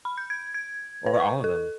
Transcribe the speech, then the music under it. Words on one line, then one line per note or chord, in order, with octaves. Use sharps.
Or all of them?
B5
G6
G#6
G#6
B4
C#6
A4